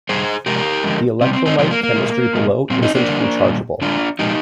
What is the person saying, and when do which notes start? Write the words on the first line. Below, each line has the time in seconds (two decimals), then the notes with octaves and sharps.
The electrolyte chemistry below isn't rechargeable.
0.09 C3 G3 G#4 C5
0.46 C3 F3 G#3 G4 A#4
0.84 D3 F3 G#3
1.21 C3 C4
1.26 G3
1.33 C4
1.46 C4 D#4
1.58 C3 F3 G#3 C4
1.71 A#3
1.83 A#3
1.96 A#2 G#3
2.33 A#2 G#3
2.70 A#2 G3 C4
2.82 C4 D#4
2.95 A#3 D4
3.08 D3 G3
3.44 A#2 G3
3.82 D3 F3 G#3 D4 F4
4.19 A#2 F3 G#3 D#4 G4